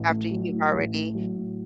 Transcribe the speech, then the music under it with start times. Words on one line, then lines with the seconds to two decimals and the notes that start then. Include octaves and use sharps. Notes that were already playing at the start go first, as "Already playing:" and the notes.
After you've already
Already playing: A1
0.09 A3
0.31 F#3
0.52 A2
0.73 A1
0.94 A3
1.15 F#3
1.37 A2